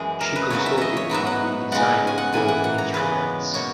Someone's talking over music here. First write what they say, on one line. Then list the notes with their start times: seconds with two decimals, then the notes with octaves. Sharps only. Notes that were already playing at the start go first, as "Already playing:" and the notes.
She consulted on the design of both instruments.
Already playing: F#2 E3 G#3 G#4
0.21 A#4
0.36 B4
0.50 E2 C#3 F#3 A#3 D#4 C#5
0.66 E5
0.77 D#5 E5
0.97 C#5
1.09 G#2 F#3 B3 D#4 E5
1.27 F#5
1.72 C#3 G#3 D#4 F#5
2.07 G#5
2.18 F#5
2.33 G#2 E3 A#3 G#5
2.48 F#5
2.64 F#5
2.78 A#5
2.94 E2 C#3 G#3 B3 B4
3.54 B2 A#3 C#5